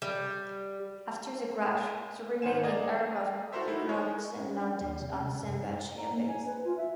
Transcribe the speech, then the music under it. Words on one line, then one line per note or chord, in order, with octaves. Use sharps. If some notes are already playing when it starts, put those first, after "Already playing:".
After the crash, the remaining aircraft regrouped and landed at Sembach Air Base.
G3
G#2 D#3 C5 G#5 E7
D5 D#5 F5 A#5 G#6
E4 F#4 A4 A#4 C5 E5
D#4 E4
D#4 A#4 C#5
C#4
D4
D5
D#2
C3
C#4
C3
F#2
A#5
A#3
G#5
B4
F4
E5